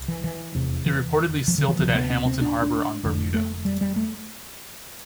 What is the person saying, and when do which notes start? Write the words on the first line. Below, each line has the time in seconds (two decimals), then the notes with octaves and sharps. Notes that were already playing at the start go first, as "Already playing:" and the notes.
It reportedly silted at Hamilton Harbor on Bermuda.
Already playing: C2
0.08 E3
0.24 E3
0.55 F1 E2 C3
0.86 E3
1.48 F3
1.58 D3
1.68 E3
1.79 D2 C3 F3
1.95 B3
2.10 C4
2.26 C4
2.41 D4
2.62 D4
3.03 F1 F2 D3
3.34 A3
3.65 G3
3.81 G3
3.96 A3